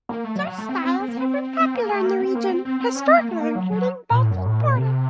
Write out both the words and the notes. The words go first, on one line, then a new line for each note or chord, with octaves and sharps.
Such styles have been popular in the region, historically including Baltic porter.
A#3
A3
F#3
F#3
A3
C4
C4
C4
A#3
C4
C4
A#3
A3
A#3
C4
A#3
C4
C4
C4
C#4
C4
A#3
A3
A#3
F#3
F#3
A#2
A2
F#2
A2
A#2
C3